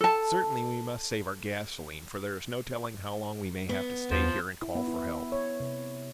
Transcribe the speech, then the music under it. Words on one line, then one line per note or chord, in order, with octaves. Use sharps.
"Certainly we must save our gasolene, for there is no telling how long we may have to stay here, and call for help."
A4 A5
B3
E2 F3
E4
B3
E4
C#5
C3